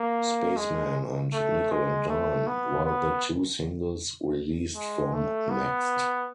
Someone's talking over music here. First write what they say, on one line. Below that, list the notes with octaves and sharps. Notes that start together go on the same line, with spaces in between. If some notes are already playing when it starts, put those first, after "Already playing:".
"Spaceman" and "Nickel and Dime" were the two singles released from "Next".
Already playing: A#3
G#3
A3
G#3
A3
B3
B3
G#3
A3
B3